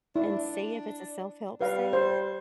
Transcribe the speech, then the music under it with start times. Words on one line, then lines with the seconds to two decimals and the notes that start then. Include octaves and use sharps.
and see if it's a self-help state
0.16 D4 E4
1.61 G3 B4 F5
1.93 C5